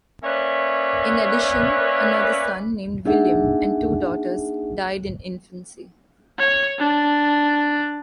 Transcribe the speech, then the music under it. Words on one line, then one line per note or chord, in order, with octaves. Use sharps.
In addition another son, named William, and two daughters died in infancy.
A#3 C#4 B4 C#5 D5 E5
A#3 D4 D#4 G#4 E5 F#5
C#5
D4